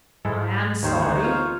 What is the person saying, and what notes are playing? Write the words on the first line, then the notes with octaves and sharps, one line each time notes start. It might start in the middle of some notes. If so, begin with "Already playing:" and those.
I am sorry.
G#2 G#3 E4 A4
D#2 D#3 D#4 C5 C#5 F5
D2 E3 F#5
F4